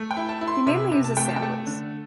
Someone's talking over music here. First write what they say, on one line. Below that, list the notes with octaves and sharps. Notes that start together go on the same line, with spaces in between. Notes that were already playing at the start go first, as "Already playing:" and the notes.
He mainly uses samples.
Already playing: A3
G5
E4
A5
E4
C6
C3 E5
C3
A5
A3 G5
A5
G5
A3 A5
D3